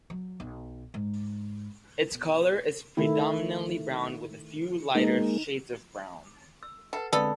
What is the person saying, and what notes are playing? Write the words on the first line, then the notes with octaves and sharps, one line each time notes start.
Its color is predominantly brown with a few lighter shades of brown.
F#3
B1
G#2
B2
D#3 A3 E4
G#3 A#3 D#4
E6
A4 B4 F#5
D3 G#3 B3 C4 A4 D5 F5